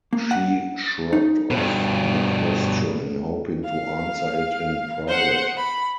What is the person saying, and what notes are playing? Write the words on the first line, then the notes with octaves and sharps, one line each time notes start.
She shrugged off the question in hoping to answer it in private.
A#3
F#5
D#4
G2 B2
F5
C5 F#5
B5